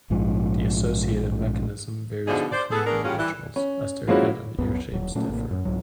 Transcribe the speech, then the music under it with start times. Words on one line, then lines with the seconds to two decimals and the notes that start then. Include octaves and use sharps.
The associated mechanism varies between individuals, as their head and ear shapes differ.
0.10 A#1 G#2 F3
2.28 B2 D3 F3 D4 D#4 G#4
2.52 C5 D5
2.71 B3 G#4 A4
2.86 A3 B3 D4 G#4 A#4
3.04 G3 A#3 C#4 F4 F#4 G#4
3.18 E3 G3
3.56 C#4
4.07 F3 G#3 A#3 C#4 E4 F#4
4.58 C2 F#2 B3
4.91 D#1 F#3
5.15 A#2 F#3 A3 C#4
5.29 A1 C3 A#3
5.51 F#2
5.65 C2 G#2 F#3